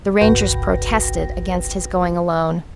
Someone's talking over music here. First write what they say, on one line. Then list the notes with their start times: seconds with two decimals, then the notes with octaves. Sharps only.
The rangers protested against his going alone.
0.21 G1 C2 F#4 B4 G5 A#6